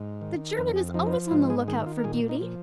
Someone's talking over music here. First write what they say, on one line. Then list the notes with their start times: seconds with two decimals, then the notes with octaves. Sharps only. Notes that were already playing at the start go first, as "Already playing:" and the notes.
The German is always on the lookout for beauty.
Already playing: G#2
0.21 D#3
0.57 F2 A#4
0.76 G#4
0.94 F3 D#4
1.07 D#4
1.13 F4
1.31 G#2 F4
1.50 G#4
1.68 D#3 G#4
1.86 F4
1.98 A#4
2.04 A#2 G#4
2.29 D#4
2.41 F3